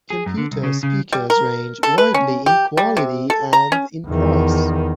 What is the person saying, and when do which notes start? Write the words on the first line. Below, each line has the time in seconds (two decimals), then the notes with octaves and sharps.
Computer speakers range widely in quality and in price.
0.10 G#4
0.26 F#2
0.38 D3
0.52 C2
0.63 C#3
0.83 C#3
1.12 G3
1.30 A#4
1.83 A4
1.98 B4
2.14 C#4
2.46 G4
2.77 G3
2.97 C3
3.30 A4
3.53 A#5
3.72 C#4
4.07 E2 D#3